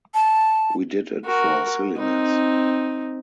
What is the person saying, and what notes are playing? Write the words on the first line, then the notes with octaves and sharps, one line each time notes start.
We did it for silliness.
A5
F#4 A#4
C4 D#4